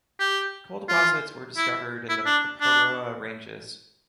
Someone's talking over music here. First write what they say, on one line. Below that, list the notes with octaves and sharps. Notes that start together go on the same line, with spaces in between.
Coal deposits were discovered in the Paparoa Ranges.
G4
F4
E4
E4
D4
D4